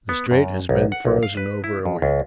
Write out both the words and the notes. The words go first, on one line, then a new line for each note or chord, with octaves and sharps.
The Strait has been frozen over a week.
B3
F#2
B1
F#5
B1
F5
B4
E4
F2
C#2